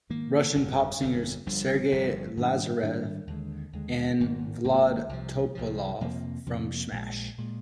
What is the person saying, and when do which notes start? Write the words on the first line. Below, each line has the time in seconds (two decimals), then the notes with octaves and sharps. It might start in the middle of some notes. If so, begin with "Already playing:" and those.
Russian pop singers Sergey Lazarev and Vlad Topalov from Smash!!
0.10 G#2 D#3 A#3
0.55 G1 F2 D3
1.00 G1 F2 D3
1.46 G1 G2 D3 F3
1.91 G1 G2 D3 F3
2.37 G#2 D#3 G3 D4
2.83 G#2 D#3 G3 D4
3.27 D#2 D3 G#3
3.73 D#2 D3 G#3
4.19 G#1 G#2 D#3 A#3
4.64 G#1 G#2 D#3 A#3
5.09 C2 C3 F3
5.55 C2 C3 F3
6.01 F2 C3 F3 A#3
6.46 F2 C3 F3 A#3
6.92 A#1 A#2 G#3
7.38 A#2 G#3